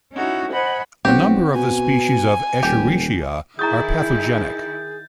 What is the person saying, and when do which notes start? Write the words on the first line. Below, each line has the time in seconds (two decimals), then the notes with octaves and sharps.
A number of the species of "Escherichia" are pathogenic.
0.12 C#4 D#4 E4 F#4
0.51 C5 D#5 F#5 G#5 B5
1.05 B1 C4 F#4 G4
1.55 B2 G#5
2.63 D#1 G4
3.59 D#3 E4 G#4 A#5 C#6 D#6 G6 A6